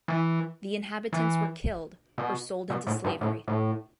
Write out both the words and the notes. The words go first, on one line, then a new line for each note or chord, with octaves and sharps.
The inhabitants were killed or sold into slavery.
E3
E3
B2
B2
A2
G2
A2
A2